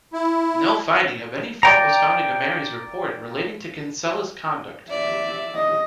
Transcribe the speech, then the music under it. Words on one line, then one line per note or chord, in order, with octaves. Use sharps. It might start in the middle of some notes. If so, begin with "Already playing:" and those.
No finding of any fault was found in Gomery's report relating to Kinsella's conduct.
E4
D5 G5 A#5
D5 E5
D#5